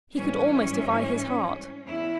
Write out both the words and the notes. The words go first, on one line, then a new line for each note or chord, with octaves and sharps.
He could almost defy his heart.
G#2 E3 G3 C#4
E2 E4